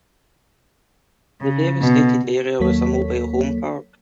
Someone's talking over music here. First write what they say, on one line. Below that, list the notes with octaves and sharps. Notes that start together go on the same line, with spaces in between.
The devastated area was a mobile home park.
C#3
B2
D#2 F#3 A#3 A4 C#5 B6